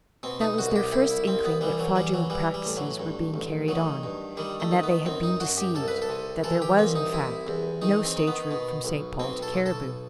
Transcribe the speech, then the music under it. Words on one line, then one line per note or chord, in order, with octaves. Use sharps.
That was their first inkling that fraudulent practices were being carried on and that they had been deceived, that there was, in fact, no stage-route from St Paul to Cariboo.
B2 C4
D#4
C2 F#4
G4
C2 E4
E4
C2 C4
B3
E3 G3
F#3
E3 G3
F#3
E3 G3
G3
A2
F#3
G2
A1
D#3 F#3
G2
D#3 G3
A3
D#3
B3
F#2 C4
D#4
F#2 F#4
G4
C2 A4
B4
A4
C3
E3 A4
G4
C2 C4
D#4
C3 E4
E2
D#3 D#4
C4
D#3
B3
B2
B1
B2 C4
A4
B1
A4